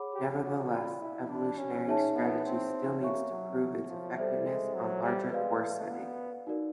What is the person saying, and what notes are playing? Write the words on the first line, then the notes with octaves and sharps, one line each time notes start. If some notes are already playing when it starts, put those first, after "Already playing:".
Nevertheless, evolutionary strategy still needs to prove its effectiveness on larger core settings.
Already playing: G#4 C#5 F#5 B5 D6
G4
F#4
F4 A#4 D5 G5 B5
E4
D4
C#4
D#4 G#4 C#5 E5 A5
B3
C4
A#3 C#5 E5 G#5 C#6
F#3
F3
G3 A4 C5 E5
G#3
F#3
G3
G#3 B4 D5 F5
A3
B3
D#4 F#4 A#4 D5